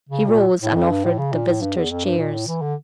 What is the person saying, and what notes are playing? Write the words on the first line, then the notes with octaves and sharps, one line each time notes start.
He rose and offered the visitors chairs.
C#3
A#2
A2
F2
G2
A2
C#3
A#2
A2
G2
E2
F2
G2
A#2
A2
E3
D3